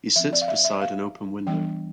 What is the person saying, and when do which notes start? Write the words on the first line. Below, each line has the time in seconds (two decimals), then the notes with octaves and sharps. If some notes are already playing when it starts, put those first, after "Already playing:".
He sits beside an open window.
0.16 F3 C4 E5
0.33 D5
0.42 F5
0.48 E5
0.65 E5
0.81 F5
1.47 E3 G3 B3 D4 G5